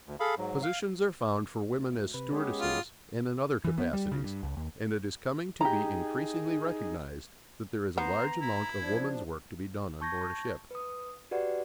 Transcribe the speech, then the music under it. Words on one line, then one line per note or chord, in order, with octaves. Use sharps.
Positions are found for women as stewardesses and in other capacities, and it is coming to be increasingly recognised that there is a large amount of women's work to be done on board a ship.
D2
G#4 A4 F5 B5
G#2 F#3
F5
D2
C3 B4
G#3 B3 C#4 G4 G#4
F4
E3
B3
G3
C#3
G2
C#2
D#2
D#4 G4 G#4 A#5
B3 C5 A#5
E4
F3 D4 G#6
A5 C#6 G6 G#6 A#6
B4 D#6
F#4 G4 B4 D5 F#5